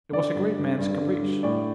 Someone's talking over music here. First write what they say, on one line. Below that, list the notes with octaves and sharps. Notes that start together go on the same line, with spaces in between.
It was a great man's caprice.
D3 D5
G2
G2
G2
D3
G2
A2 D5